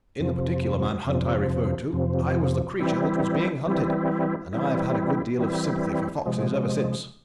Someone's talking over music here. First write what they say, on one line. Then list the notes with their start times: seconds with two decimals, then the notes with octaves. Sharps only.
In the particular man hunt I refer to I was the creature that was being hunted, and I've had a good deal of sympathy for foxes ever since.
0.20 F2 C3 F3
1.05 F2 C3 F3
1.93 F2 C3 F3
2.79 E3 G3 C4 E4
3.66 E3 G3 C4 E4
4.53 E3 G3 C4 E4
5.38 E3 G3 C4 E4
6.26 C3 F3 G#3